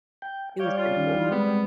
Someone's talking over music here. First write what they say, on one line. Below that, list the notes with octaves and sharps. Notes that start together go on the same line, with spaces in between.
it was pretty cool.
G5
G3 C#5 F5 D6 G6
F4 C#5 A5
D#3 C#4
E3 D#4
G#3 B3 C4